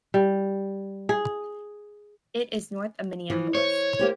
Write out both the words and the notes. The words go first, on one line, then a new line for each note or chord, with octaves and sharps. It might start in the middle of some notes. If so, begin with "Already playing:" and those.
It is north of Minneapolis.
G3
G#4
E3 F3
C5 C#5
A#3 G4 C5